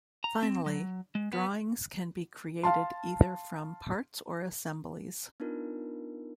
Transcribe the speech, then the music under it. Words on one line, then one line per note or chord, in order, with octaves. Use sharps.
Finally, drawings can be created either from parts or assemblies.
A#5
C4
F#3
G#3
B3
F5 A5 C6
B3 D4 D#4 F4 A#4